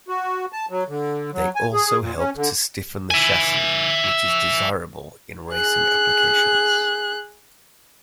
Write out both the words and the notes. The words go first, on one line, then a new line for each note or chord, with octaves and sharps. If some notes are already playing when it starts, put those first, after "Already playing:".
They also help to stiffen the chassis, which is desirable in racing applications.
F#4
A5
F#3
D3
F#3
G#5
G#4
A#2
C#4
D3
E5 G#5
G#4 F#6